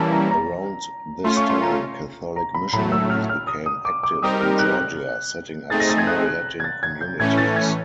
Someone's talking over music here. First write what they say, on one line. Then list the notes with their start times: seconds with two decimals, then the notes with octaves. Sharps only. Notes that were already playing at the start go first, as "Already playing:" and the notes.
Around this time, Catholic missionaries became active in Georgia, setting up small Latin communities.
Already playing: E3 G3 A#3 C#4 E4 A5
0.12 A#5
0.31 A#5
1.24 A3 C#4 F4 C6
1.37 C#6
1.50 C6
1.62 A#5
2.36 A#5
2.54 B5
2.73 A2 F#3 A3 B5
2.92 E6
3.10 F6
3.29 F6
3.47 D#6
3.66 D#6
3.85 D6
4.03 D6
4.22 G3 C4 D#4 G4 A#4 D#6
4.41 F6
4.59 F#6
4.78 F#6
5.70 A3 C4 D#4 G#4 A6
5.80 A#6
5.89 A6
5.98 G#6
6.07 F#6
6.26 F#6
6.60 G#6
6.64 A6
6.83 G#6
7.01 G6
7.19 A2 E3 A3 C#4 G#6
7.37 A6
7.56 G#6